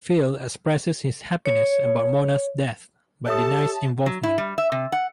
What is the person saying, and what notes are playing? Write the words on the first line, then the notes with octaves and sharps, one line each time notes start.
Phil expresses his happiness about Mona's death but denies involvement.
C#5
G4 A4 C#5 E5 A5 D#6
F#3
E4
G3
E5
C3
F#5